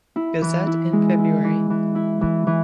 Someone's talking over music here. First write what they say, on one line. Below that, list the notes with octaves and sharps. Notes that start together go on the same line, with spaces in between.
Gazette in February.
E4
E3
E4
G#3
E4
E3
E3
E4
E3
E3